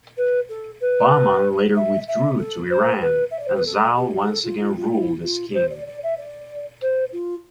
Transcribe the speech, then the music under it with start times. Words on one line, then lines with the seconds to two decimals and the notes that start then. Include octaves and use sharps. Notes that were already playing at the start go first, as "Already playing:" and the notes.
Bahman later withdrew to Iran, and Zal once again ruled as king.
0.17 B4
0.49 A4
0.81 B4
1.76 E5
2.07 E5
2.39 A4
2.70 C5
3.01 B4
3.30 E5
3.39 D5
3.47 C5
3.56 B4
3.65 A4
3.96 G4
4.21 G4
4.28 A4
4.43 F4
4.60 F4
4.76 F4
4.91 E4
5.23 F4
5.54 C5
5.70 D5
5.87 D5
6.03 E5
6.17 D5
6.82 C5
7.12 F4